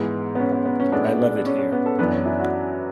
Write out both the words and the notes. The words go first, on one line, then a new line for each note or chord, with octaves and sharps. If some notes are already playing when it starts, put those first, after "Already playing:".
I love it here.
Already playing: G#2 E3 G#3 B3
B3
C#4
B3
B3
C#4
A2 G#3 B3 D4
C#4
C#4
B3
A4
F#2 E3 B3 D4 B4
C#4
E4
F#4